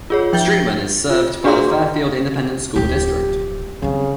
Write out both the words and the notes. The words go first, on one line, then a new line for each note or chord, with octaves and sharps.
Streetman is served by the Fairfield Independent School District.
F4 G#4 C#5
F3 G5 G6 A6 G7
A6
F4
D4 F#4 G#4 D5 A#5 C6
D1 F2 G4
C#3 F#3 C4